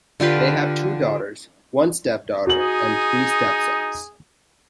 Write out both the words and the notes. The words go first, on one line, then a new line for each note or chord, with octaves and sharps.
They have two daughters, one stepdaughter, and three stepsons.
D3 F4 G4 B4
D#4 F#4 G#4 F#7